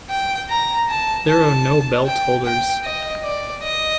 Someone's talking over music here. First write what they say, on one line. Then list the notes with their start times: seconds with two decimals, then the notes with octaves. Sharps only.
There are no belt holders.
0.10 G5
0.49 A#5
0.89 A5
1.28 A5
2.06 G5
2.45 G5
2.84 D#5
3.24 D5
3.63 D#5